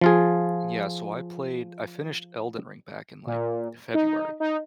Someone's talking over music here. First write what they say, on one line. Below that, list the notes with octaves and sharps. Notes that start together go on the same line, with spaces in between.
yeah, so I played I finished Elden Ring back in, like, February,
F3 F4 G#4
A#2
D#4
D#4